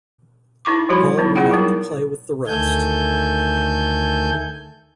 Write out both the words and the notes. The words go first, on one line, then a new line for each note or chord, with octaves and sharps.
Paul went out to play with the rest.
D#4 E4 C#6 D6
F3 G3 F#4 G4 C#5 B5
F#3 B3 D#4 E4
A#3 E4 F4 G#4 F#5 G5
F#3 G3 D#4 A#4
D2 D#3 A3 A4 G#5 G6